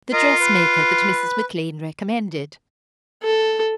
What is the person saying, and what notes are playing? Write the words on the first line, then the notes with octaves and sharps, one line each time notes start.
"The dress-maker that Mrs. McClean recommended?"
F4 A#4 D#5 A#5
B4
A4